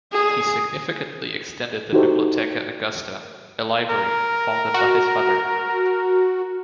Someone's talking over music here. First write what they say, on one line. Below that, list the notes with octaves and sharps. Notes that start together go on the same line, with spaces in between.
He significantly extended the Bibliotheca Augusta, a library founded by his father.
G#4
D#4 E4 F#4 G4 A4 C5
A#4
F#4